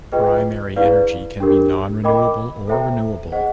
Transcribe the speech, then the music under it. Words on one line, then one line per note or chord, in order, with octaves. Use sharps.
Primary energy can be non-renewable or renewable.
F4 G#4 B4 D#5 G5
E4 G#4 B4 D5 F5
D4 G4 A#4
A#4 D#5 G5 B5 D6
A4 C5 E5 G5 A#5
G#4 C5 D#5 F#5